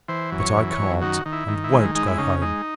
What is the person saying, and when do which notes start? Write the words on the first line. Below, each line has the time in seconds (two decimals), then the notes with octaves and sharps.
But I can't, and won't, go home.
0.08 E3 C5
0.32 F#2
0.39 C#5
0.56 E3
0.70 C#5
0.79 F#2
1.02 D#3 F#4
1.25 D#3
1.33 E4
1.48 D#3
1.64 E4
1.72 G#3
1.95 G#3 D#4
2.07 E4
2.18 C#3 D#4
2.42 G#3 D#4